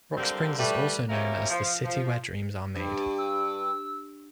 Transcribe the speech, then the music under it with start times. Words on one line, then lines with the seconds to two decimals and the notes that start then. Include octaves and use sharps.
Rock Springs is also known as the "City Where Dreams are Made".
0.17 D3 F#3 G3 A#3 C4
0.59 G3 A3 B4
1.09 B2 A#3 C#4 E4 G4 A#4
1.49 F3
1.84 F3
2.75 G2
3.18 E6